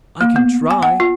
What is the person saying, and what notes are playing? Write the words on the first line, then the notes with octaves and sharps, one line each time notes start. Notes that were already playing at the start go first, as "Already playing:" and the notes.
"I can try."
A#3
B3
G#5
F#5
F4